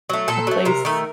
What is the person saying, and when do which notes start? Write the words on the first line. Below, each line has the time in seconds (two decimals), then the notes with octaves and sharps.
a place,
0.09 F#3 A3
0.28 A#2 A4
0.47 F#3 A3
0.65 C3 A#4
0.85 D#3 A3